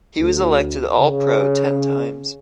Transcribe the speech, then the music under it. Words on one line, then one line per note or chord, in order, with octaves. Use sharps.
He was elected All Pro ten times.
D2
C#3